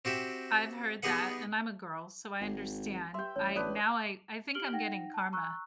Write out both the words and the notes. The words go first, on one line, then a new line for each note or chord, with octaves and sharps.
I've heard that and I'm a girl, so I understand. I now I I think I'm getting karma
C4 F#4 G4 E5
B3 D#4 G4 G#4 B4 F#5
G#1
G4 E5 G5 C6
A1 C#5
A1 D4 B4 D5 D#6
G4 F6 D7 F#7 G7
D#4 F#5 G5 A#6
A5
A#5 C#6 E6 F#6